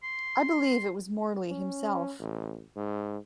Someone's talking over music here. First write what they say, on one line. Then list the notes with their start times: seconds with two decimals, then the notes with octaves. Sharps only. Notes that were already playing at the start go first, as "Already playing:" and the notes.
I believe it was Morley himself.
0.03 C6
1.50 C#4
2.19 A1
2.76 G#2